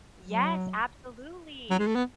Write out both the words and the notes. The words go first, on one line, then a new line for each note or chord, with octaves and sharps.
Yes, absolutely.
F#3
F#3
G#3
A3
B3